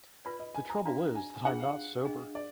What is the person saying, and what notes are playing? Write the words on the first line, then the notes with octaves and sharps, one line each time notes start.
The trouble is that I’m not sober.
F4 B4 D5 B5
D#5
G#5
A#5
D4 F#4 D5 F5 A#5
G#5
D4 F4 G#4 F#5
F5
D4 G#4 D#5
D5